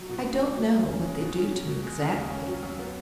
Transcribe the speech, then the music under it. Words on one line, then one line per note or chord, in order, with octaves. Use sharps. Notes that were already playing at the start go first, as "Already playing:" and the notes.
I don't know what they do to me exactly.
Already playing: F#3
B2
C#2
B3
F#3
F#2
C#4
G#3
B2
C#4
F#3
B2
G#3
C#3
D#2
C#4
F#3
F#2
B3